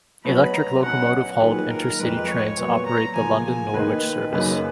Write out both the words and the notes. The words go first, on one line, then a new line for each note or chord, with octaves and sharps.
Electric locomotive-hauled inter-city trains operate the London-Norwich service.
B2 F#3 B3 F#4 C#5 B5
A#5
B2 F#3 C#4 F#5
D#3 F#3 A#3 F4 G#4 B4
A#4
F2 F3 G#3 B4
C#5
A#2 F#3 B3
A#5
C#3 F3 A#3 G#5
G#5
D#2 D#3 A#3 D#4 B4
F#2 C#3 F#3 A#3 D#4 B4